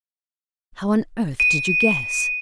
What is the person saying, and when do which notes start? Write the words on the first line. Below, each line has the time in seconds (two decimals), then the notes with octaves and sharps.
'How on earth did you guess?
1.40 D#7